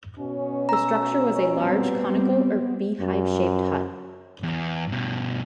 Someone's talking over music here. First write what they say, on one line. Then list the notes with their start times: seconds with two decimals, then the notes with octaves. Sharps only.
The structure was a large conical or beehive-shaped hut.
0.19 B2 C#4
0.69 A#5 E6
1.57 G3 B3 C4
3.00 F#2
4.43 E2
4.89 G2 B2